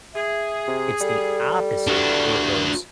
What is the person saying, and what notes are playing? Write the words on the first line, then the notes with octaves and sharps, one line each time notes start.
it's the opposite where it goes,
G#4 E5
C3
G3 A4
E2 G2 D4 F#4